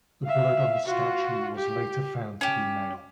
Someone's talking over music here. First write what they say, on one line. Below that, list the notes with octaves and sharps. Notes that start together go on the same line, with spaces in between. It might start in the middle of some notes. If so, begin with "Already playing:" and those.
The blood on the statue was later found to be male.
E5 F5
F4 F#4
G4
C#4 G4